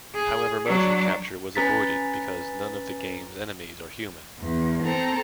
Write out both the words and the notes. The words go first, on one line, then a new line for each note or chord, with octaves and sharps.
However, motion capture was avoided because none of game's enemies are human.
G#4
F#3 D4
C#4 B4 A#5 A6 B6
E2
C4 A4 A#5